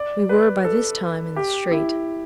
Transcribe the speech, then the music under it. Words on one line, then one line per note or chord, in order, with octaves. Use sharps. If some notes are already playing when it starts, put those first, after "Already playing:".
We were by this time in the street.
Already playing: D5
B4
A4
G4
E4